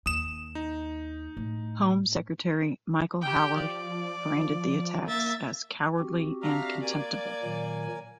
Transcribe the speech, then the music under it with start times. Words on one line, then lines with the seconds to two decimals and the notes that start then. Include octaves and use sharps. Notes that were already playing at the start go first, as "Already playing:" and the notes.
Home Secretary Michael Howard branded the attacks as "cowardly and contemptible".
0.06 D#2 D#6 E7
0.55 D#4
1.37 A2
3.22 G4 G5
3.57 F3 D5
5.07 A#3 E5 A6
5.99 C4 F#4 G4
6.42 D4 E5 F5 A#5
6.82 A#3 D5 G#5
7.43 A#2 D#3 F#3